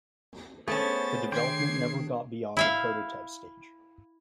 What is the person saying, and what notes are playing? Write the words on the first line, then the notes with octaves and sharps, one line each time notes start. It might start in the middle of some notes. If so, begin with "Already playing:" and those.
The development never got beyond the prototype stage.
A3 B3 C#4 G#4 C5 C#6 A6
D#3 D4 G#4 G5 C6 D6 G#6 C7
E4 E5 F5